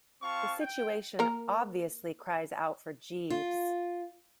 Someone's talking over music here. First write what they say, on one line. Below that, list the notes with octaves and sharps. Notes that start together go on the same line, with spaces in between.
The situation obviously cries out for Jeeves.
C4 F4 F5 A5 C#6
G5
A#3 A#4
F4